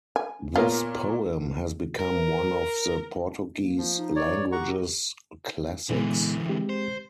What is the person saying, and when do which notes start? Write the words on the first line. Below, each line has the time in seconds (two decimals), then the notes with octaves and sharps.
This poem has become one of the Portuguese language's classics.
0.16 G#5
0.55 A#2 B3 F4 A#4 C#5
1.99 A#4
3.61 A#3
3.78 F3
3.97 D#4
4.16 C#5 D5
4.52 G4 F#5 A#5 C#6
5.89 A#2 D3 E3 G#3 B3
6.49 G#3 C4 G4
6.69 C5